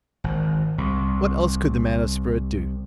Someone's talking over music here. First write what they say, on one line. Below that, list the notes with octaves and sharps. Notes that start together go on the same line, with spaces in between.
What else could the man of spirit do?
G#1
C2